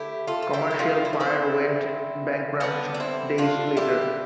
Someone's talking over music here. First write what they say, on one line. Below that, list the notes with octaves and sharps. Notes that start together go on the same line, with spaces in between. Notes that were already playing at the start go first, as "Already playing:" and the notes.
Commercial Fire went bankrupt days later.
Already playing: D3 A3 E4 G4
F4 A4
A4
E4 G4
E4
D4 F4
E4
D4
C4 E4
D3 G3 B3 D4
D4
C4 E4
D4 F4
E4 G4